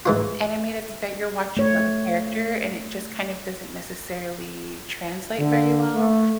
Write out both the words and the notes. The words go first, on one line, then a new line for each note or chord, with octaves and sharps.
anime that's that you're watching, like a character, and it just kind of doesn't necessarily translate very well.
G#2 E3 F4
A3 C#5
D3
A3